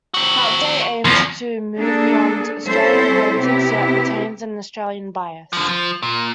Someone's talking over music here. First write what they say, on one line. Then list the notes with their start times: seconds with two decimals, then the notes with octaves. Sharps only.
The update aims to move beyond Australian politics, yet retains an Australian bias.
0.14 C4 F#4
1.05 E2 F3
1.77 A#3 D4 G#4 A4
2.66 G3 C4 C#4 E4 A4 C5
3.38 C3 B3 E4 G4
5.53 D3 F3
5.69 F3
6.02 A#2